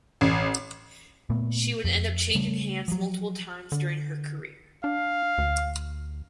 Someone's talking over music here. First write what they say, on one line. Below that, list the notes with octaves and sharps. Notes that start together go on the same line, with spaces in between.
She would end up changing hands multiple times during her career.
A1
A#2 A3 B3
F2
C#3 G3 A3
F3 F#3
D3
D4 F5
D2